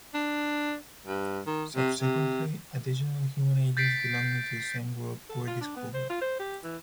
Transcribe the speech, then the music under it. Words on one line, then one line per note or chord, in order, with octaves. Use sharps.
Subsequently, additional human agents belonging to the same group were discovered.
D4
G2
D#3
C3
C3
G6 A6 B6 C7 D7
A4
F4
D4
B3
C5
F4
C5
G4
E3